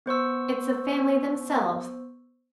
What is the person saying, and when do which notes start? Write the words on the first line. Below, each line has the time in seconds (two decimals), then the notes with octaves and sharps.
It's the family themselves.
0.06 B3 C5 C#6 E6